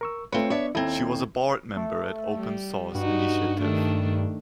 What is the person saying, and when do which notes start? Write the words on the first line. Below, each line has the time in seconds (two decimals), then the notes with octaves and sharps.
She was a board member at Open Source Initiative.
0.01 A#4 C#6 E6
0.32 A3 C4 F4 B4 C#5
0.50 B3 D4 C#5 D5 E5
0.75 D#2 C4 E4 A4 G#6
1.77 A3
2.36 G3
2.95 G2 D#4 F#4
3.61 D#3 A3 D4